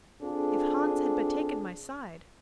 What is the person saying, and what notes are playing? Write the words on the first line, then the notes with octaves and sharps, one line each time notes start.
If Hans had but taken my side!
C4 D4 F4 G#4 A4